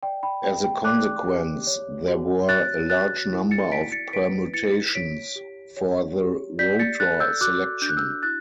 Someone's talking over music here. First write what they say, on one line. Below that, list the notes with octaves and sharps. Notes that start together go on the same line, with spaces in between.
As a consequence, there were a large number of permutations for the rotor selection.
D5 G5
G5 B5
G4 G5
G5
D5 D6 F#6
G4
C#5
F#4
C#5 F#6 A6
F#4 F#6 A6
E4
A6 C#7
D5 B6 D7
A6 C#7
B4 B6 D7
E4 A6 C#7
C#5 B6 D7
G4
C#5
G4
D5 G6 B6
A6 C#7
A4 F#6 A6
E6 G6
F#4 D6 F#6
D4 G6
F#6
E6 G6
E4 F#6 A6